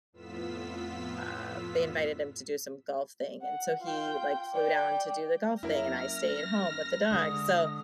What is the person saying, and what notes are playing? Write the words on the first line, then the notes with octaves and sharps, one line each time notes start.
uh they invited him to do some golf thing, and so he, like, flew down to do the golf thing, and I stayed at home with the dogs, so
F2 A2 B3 F4 E6 B6
F#5
F4 G5
D5 G5
F#2 A#3 E4 A#4 E5 F6 A#6
D3 G#3 D4 D#6